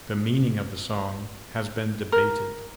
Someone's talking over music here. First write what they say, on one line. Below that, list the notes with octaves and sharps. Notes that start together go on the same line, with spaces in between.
The meaning of the song has been debated.
A#4